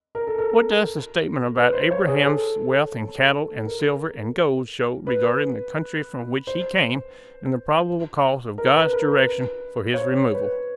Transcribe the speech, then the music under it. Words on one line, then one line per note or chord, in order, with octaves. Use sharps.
What does the statement about Abraham's wealth in cattle and silver and gold show regarding the country from which he came and the probable cause of God's direction for his removal?
A#4
A4
A#4
B4
C5
C#5
G#4
A4
A#4
B4
C5
A#4
B4
A#4
B4
C#5
C5
B4